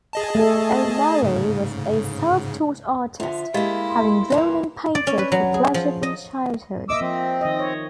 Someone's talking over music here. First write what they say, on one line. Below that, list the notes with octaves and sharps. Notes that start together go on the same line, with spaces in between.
O'Malley was a self-taught artist, having drawn and painted for pleasure from childhood.
G#4 D#5 A5
A3 A4
G#2 C#3
D3 F3 E5
G#3 A#3 E4 G4 D#5 F5
C6
G2 E3 A#3
D5
C#4
B4
F#3
G#4
F3
D#5
A#3 D#5 E5 D6 E6
F3 C4
D#3 D#5
C#5